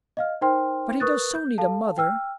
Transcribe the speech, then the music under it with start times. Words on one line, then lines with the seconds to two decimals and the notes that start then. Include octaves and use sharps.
"But he does so need a mother."
0.17 D#5 F5 F6
0.41 D#4 A#4 C5 G5 C6 F6
1.00 A#4 B4 C#6 D#6 F#6 A6
1.35 G6
1.58 A4 F5 A5
1.98 G5 E6 F6